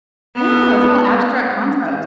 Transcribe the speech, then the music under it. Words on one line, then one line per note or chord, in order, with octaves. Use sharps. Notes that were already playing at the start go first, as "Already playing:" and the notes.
Yeah, it's all abstract concepts.
B3